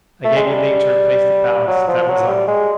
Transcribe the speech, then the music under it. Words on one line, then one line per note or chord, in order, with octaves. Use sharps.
"I gave you leave to replace the ballast; that was all!"
A3
G#3
G3
F#3
F3
F#3
G3
G#3